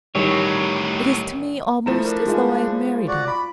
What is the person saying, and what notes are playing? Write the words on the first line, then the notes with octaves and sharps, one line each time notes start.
It is to me almost as though I had married him.
A1 A2 D#3 F#3 G3 C#5 C#7
F3 A3 E4 A#5 E7
D4 A#4
G#3 F4 F5
F#4 D5
B5 D6